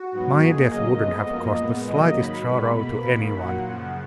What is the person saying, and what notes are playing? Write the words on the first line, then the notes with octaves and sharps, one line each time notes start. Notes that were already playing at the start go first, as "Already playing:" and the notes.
My death wouldn't have caused the slightest sorrow to any one.
Already playing: F#4
G#2 F#3 B3
F2 D#3 A#3 G#4
C#3 F#3 A#3 D#5
F2 F3 G#3 B3
F#2 F3 A#3
A#2 G#3 B3
C#3 F#3 A#3 D#5
G#2 D#3 F#3 B5
B2 G#3 B3
B2 A#3 B5
F2 D#3 A#3
A#2 F#3 A#3 F#5
F#2 C#3 F3